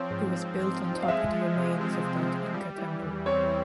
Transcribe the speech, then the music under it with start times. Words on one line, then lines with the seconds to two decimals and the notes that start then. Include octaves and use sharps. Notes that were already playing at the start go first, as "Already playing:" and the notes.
It was built on top of the remains of that Inca temple.
Already playing: F3 C4 C#5
0.11 G#2
0.35 G#2
0.59 C4
0.84 F3
1.02 F5
1.08 G#3 E5
1.33 F3
1.56 C3
1.81 C4
2.05 G#3
2.29 F3
2.54 G3
2.78 E3
3.02 E2
3.26 C4 C#5